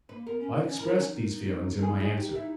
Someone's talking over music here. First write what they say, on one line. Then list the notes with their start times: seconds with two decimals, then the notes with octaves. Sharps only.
I expressed these feelings in my answer.
0.09 A#3 B4
0.26 B3 A#4
0.40 C#4
0.52 D#4
0.66 C#4
0.78 E4 A#4
0.88 D#4
0.97 C#4
1.06 D#4
1.79 A#4
1.82 D#4 G#4
1.93 E4
2.00 D#4 G#4
2.17 G4
2.35 D#4 E4